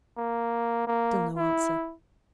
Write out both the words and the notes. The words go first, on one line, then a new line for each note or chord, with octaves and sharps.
Still no answer.
A#3
A#3
E4